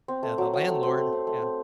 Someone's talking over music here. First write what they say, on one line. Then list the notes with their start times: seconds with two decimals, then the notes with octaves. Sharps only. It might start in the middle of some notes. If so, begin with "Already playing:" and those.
Yeah, the landlord Yeah.
0.08 C4
0.23 A3
0.38 F#3
0.54 F#3
0.68 A3
0.83 C4
0.98 A3
1.12 C4
1.27 A3
1.42 C4